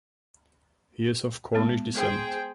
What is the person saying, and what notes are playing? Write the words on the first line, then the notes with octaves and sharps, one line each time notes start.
He is of Cornish descent.
G#3 B3
G#4 C5 G5